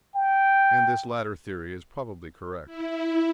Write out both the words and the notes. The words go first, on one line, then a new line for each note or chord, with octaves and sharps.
And this latter theory is probably correct.
G5
E4